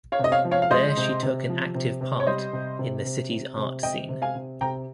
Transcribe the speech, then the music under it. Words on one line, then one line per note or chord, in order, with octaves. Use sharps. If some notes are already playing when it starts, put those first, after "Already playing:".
There she took an active part in the city's art scene.
C#5 F5
C3
D#5
C#5 F5
F3
C#5 F5
F5
G#3 C5 D#5
C3
C3
F3
C3
C3
C#5
G3 C5 D#5
C3
C3
C3
C3
C3
C3 D#5 G5
C3
F5 G#5
C3
C3 G5 A#5